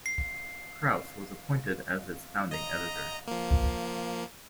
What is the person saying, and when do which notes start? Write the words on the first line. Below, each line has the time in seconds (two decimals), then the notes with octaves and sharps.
Krauss was appointed as its founding editor.
0.06 C7
2.51 D#5 A#5
3.28 F3 A#3